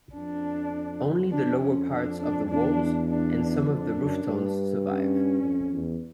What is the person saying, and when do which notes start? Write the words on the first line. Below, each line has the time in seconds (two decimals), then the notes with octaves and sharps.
Only the lower parts of the walls and some of the roofstones survive.
0.14 F2 D4
1.32 F2 D4
1.61 C#4
1.90 D4
2.20 D4
2.49 E2 D4
3.08 D4
3.66 F2 D4
3.96 F#2
4.25 G2
4.84 C#4
5.42 F2
5.72 E2